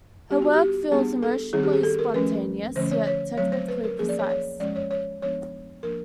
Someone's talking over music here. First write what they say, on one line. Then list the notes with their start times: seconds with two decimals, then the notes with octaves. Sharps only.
Her work feels emotionally spontaneous yet technically precise.
0.30 G3 B3 D4 G4
0.42 F#4
0.54 G4
0.91 G3 B3 D4 G#4
1.23 A4
1.53 D#3 G3 C4 G#4
1.63 G4
1.73 G#4
1.83 A4
1.99 A#4
2.14 F3 A3 C#4 B4
2.75 D3 F3 A3 C#4 C5
2.91 C#5
3.07 C#5
3.37 F#3 A3 C4 C#5
3.52 C5
3.68 B4
3.84 A#4
3.99 F3 A#3 C#4 G#4
4.09 D5
4.19 C#5
4.29 C#5
4.60 F3 G#3 C#4 D5
4.76 C#5
4.91 C#5
5.22 F3 G#3 B3 D4 C#5
5.83 F3 A#3 D4 A#4